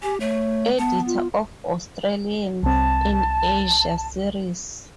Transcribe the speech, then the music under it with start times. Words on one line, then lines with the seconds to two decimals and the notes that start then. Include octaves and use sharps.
Editor of 'Australians in Asia' series.
0.02 G4 G#5
0.20 A3 C#5
0.78 B3 A5
1.07 F4
2.63 C2 C4 A5